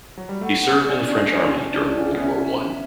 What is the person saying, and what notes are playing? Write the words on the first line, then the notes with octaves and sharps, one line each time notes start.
He served in the French army during World War One.
F#3
G3
A3 F#5
B3
C#4 D5
D4
C#4 D5
D4
D4 D5
C#4
B3
C#4 E5
E5